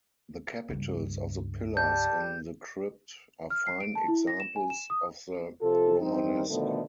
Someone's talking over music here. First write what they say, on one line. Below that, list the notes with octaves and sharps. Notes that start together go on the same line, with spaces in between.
The capitals of the pillars in the crypt are fine examples of the Romanesque.
C#2 G2
G3 A5 G6
F6
C7
D7
A5
E4
A#6
E7
G#5
E7
D#6
C3 F3 F4 A4
G2 D#3 G3 C4 D#4
B2 D3 D#3 F3 A3 B3